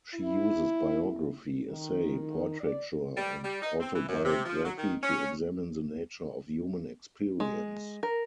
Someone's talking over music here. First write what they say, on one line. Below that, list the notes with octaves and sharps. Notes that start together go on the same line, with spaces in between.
She uses biography, essay, portraiture and autobiography to examine the nature of human experience.
E4
D#3
D5
G3
G3
D#4
C4
E3
F#2
C3
F3
F#3
D#3
C#4
G#3
A#4